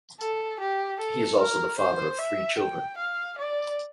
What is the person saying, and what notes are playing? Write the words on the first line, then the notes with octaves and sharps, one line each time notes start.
He is also the father of three children.
A4
G4
A4
A#4
C5
E5
G5
F5
D5